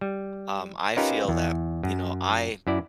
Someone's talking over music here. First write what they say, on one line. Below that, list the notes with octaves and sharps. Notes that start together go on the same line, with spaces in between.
Um, I feel that, you know, I
G3
C#4 D#4 F4 G4 A#4 B4
E2
F#2
F#2 E4 D5